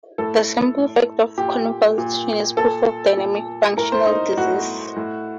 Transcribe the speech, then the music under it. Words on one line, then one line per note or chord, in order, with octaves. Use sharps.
The simple fact of convulsion is proof of dynamic functional disease.
A2 A4
A2
A#2 G4
A#2
A#2 A4
A#2
A2 A#4
C5
D#4
A2 F#4
A2